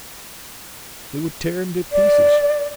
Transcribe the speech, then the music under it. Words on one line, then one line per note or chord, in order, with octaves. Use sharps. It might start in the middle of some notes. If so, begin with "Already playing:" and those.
"They would tear him to pieces."
D5